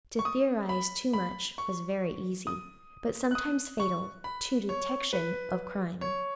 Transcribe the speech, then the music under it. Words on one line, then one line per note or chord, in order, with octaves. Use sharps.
To theorize too much was very easy, but sometimes fatal to detection of crime.
C#6
D#6
B5
B5
C#6
D#6
F#6
D#6
C#6
B5
C#5
B4
C#5